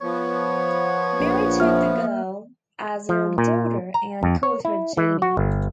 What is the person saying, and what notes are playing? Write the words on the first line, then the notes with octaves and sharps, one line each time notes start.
Mary took the girl as her daughter and called her Janie.
F3 B3 C#5
A#1
A#3 E5 F6
F3
A#2
A#5
F2
C#5
E4
E3
F#4
G1